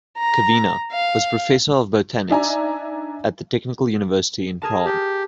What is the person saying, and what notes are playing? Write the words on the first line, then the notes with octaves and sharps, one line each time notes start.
Kavina was professor of botanics at the Technical University in Prague.
A#5
F5
D4 D#4 D5 E5 G#5 A#5
G#4 A#4 A5
G4